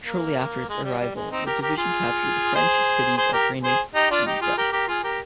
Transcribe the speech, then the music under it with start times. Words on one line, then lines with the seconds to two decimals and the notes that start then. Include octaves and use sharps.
Shortly after its arrival, the division captured the French cities of Rennes and Brest.
0.06 A#3
0.69 G#3
0.83 G3
1.00 G3
1.15 G#3
1.31 C4 D#4
1.46 G4 A#4
1.61 G4 A#4
1.77 F4 G#4
2.55 G#4 C5
3.17 G#4 C5
3.32 G4 A#4
3.63 G#4 C5
3.95 D#4 G4
4.11 D4 F4
4.26 D#4 G4
4.41 F4 G#4
4.57 G4 A#4
4.72 G4 A#4
4.88 F4 G#4
5.03 G4 A#4